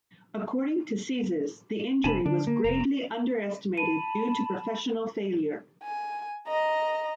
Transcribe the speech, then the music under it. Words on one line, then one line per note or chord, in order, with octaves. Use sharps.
According to Czyz, the injury was gravely underestimated due to professional failure.
F1 C3 D4 G#5 A5 B5
D3 D4
A#3
F1 C3 A#5
A5 B5 D#7
G#5
D#5 A#5